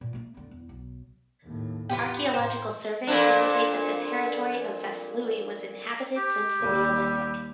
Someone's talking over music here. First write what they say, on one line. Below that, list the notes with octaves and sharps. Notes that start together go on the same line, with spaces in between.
Archaeological surveys indicate that the territory of Vaslui was inhabited since the Neolithic.
A#2
A3 A#3
E2 D3
E2
B1
D#2 A2
E2 B3 F4 G4
A2 C5 G5
F2 A#2 D4
G4
D#2 G3